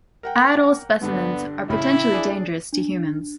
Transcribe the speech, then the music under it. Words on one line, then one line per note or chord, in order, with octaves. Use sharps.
Adult specimens are potentially dangerous to humans.
A#4 F#5 G5
G2 D3 B3 D4
A1 C#3 E4 B5
D4 G#4 D5
D4